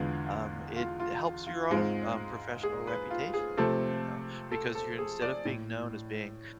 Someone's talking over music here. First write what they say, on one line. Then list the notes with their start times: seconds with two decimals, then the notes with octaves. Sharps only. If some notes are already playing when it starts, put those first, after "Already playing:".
um, it helps your own, um, professional reputation if you know, because you're instead of being known as being
Already playing: E2 D3 G#3 B3 F4
0.76 F4
1.00 F4
1.47 F4
1.70 G#2 G#3 C4 F4
2.63 G#4
2.87 B4
3.11 F4
3.34 G#4
3.57 C3 F3 A3 C4 A4
4.52 A4
4.75 A4
4.99 G#4
5.22 D5
5.45 A2